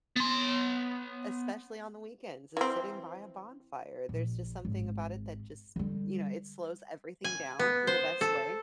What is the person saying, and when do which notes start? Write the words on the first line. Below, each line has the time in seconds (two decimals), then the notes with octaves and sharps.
especially on the weekends, is sitting by a bonfire. There's just something about it that just you know, it slows everything down in the best way.
0.16 B3 C6
2.57 E3 C4
4.09 A#1
4.65 G#1
5.76 D3 G3
7.24 G#5
7.59 B3
7.87 C5
8.21 A4